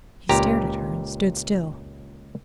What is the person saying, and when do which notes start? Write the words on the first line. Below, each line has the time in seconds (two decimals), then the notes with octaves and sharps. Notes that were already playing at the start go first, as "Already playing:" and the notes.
He stared at her and stood still.
0.29 C#2 A#2 G4 A#5